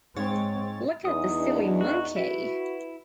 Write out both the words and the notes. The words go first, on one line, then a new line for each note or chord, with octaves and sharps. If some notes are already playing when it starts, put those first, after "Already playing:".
Look at the silly monkey!
G#2 G#3 C4 C#5 A6
E2 D#4 D#6
D4
F#4
E4 F#4 B4